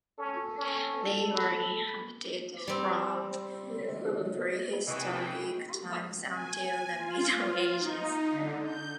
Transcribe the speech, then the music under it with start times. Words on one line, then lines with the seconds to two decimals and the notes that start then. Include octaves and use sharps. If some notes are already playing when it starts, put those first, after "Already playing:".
They were inhabited from prehistoric times until the Middle Ages.
0.18 C#4 A4
0.58 C#4
1.30 B5
2.67 G3 C4
4.88 A2 C3 E3 G#4 D#5 G5 B5 C#6
6.31 G#5
6.96 F4
7.79 D#4
8.31 D3
8.63 G6